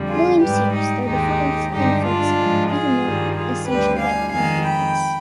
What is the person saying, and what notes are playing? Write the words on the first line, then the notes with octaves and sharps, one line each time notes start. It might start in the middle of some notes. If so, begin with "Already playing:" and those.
William Sears, though, defines infants even more essentially by their "needs".
Already playing: F2 D3 G3
F4 G#4
G#2 G3 G4 B4
D#4 G4
D#2 D#3 G#3 D#4 G4
G2 D3 G#3 D#4 G4
D4 F4
G#2 F3 G#3
F4 G#4
G2 D#3 G3
F4 G#4
D2 D3 G3 G4 B4
F5 G#5
F2 D#3 G#3 F5 G#5
G5 B5